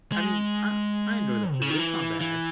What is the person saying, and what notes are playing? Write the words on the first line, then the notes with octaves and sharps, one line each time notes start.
I mean, I I enjoy the food, it's not bad,
G#3
C3
C#3
D#3
E3
E3